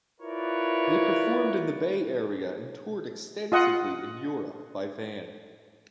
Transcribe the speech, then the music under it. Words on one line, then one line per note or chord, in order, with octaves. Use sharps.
They performed in the Bay Area and toured extensively in Europe by van.
E4 F4 A#4 B4 C#5 D5
F4 D#5 F#5